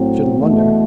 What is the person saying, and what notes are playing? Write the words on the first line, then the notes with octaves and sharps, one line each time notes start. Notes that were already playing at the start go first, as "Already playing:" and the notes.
"Shouldn't wonder."
Already playing: A2 F#3 C4
E2 B2 A3